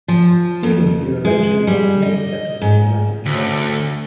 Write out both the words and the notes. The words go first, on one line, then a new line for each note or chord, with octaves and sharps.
Stephen's view eventually won broad acceptance in the Latin Church.
F3
F2
G#3
G3
D#5
G#2
D2